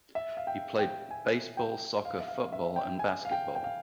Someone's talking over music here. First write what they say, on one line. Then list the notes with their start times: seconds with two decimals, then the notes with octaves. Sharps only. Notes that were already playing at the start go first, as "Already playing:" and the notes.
He played baseball, soccer, football, and basketball.
0.15 E5
0.37 F5
0.47 G5
0.79 G5
1.11 G#5
1.57 G5
2.05 F5
2.20 E5
2.28 F5
2.46 F5
2.53 E5
2.76 G5
2.99 G#5
3.25 F5
3.31 G5
3.55 G5
3.64 F5